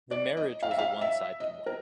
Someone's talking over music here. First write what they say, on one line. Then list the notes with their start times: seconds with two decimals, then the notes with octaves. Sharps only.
The marriage was a one-sided one.
0.11 D5
0.37 D#5
0.63 F5
0.71 E5
0.78 F5
1.01 E5
1.40 D#5
1.66 A#4